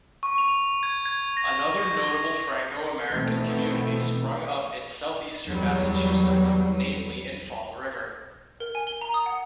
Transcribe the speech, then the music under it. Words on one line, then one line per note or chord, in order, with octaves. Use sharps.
Another notable Franco-American community sprung up in southeastern Massachusetts, namely in Fall River.
C#6
F7
G#6
G#6
A#6
B2 D#3 E3 A3 B3 C4
E2 E3 F#3 G3
A#4
G#5
G7
A#5
D#6
F#5